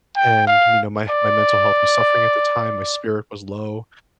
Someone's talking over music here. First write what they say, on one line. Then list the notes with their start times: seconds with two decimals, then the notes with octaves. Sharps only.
And, me know, my h my mental health was suffering at the time, my spirit was low,
0.16 G5
0.47 F5
1.10 D5